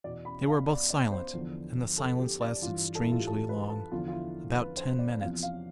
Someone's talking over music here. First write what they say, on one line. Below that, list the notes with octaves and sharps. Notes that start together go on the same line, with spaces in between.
They were both silent and the silence lasted strangely long, about ten minutes.
E2 B2 D5
B5
F5
D5
D5
C5
E2 D3 F3
A4
G4
D5
G2 E3 F4
A4
E4
F4
G4
A4
B4
A4
E2 D3 F3 F4
F4
E4
B4
C5
D5
E2 C3 F3 F5
F5